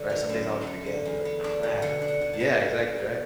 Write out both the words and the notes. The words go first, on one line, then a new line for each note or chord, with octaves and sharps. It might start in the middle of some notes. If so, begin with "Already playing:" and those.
right? Some days I would forget, and be like, "Crap." Yeah, exactly, right?
Already playing: D3 B3 D4
F#3
F#2 E5
F#3
A3
D3
E2
B3
D4
B2
D3 F#5
D4
F#5
D3
A5
B3
B2
D4
B2